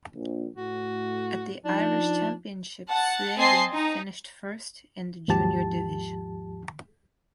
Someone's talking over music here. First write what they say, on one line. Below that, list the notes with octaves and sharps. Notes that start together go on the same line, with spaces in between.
At the Irish Championships Slevin finished first in the junior division.
A#1
A2 F#4
F3 D4 D#4
F#5 A5
C4 D#5 G#5 A5 C6 C7
D#4
D#2 G#2 F3 G4 A5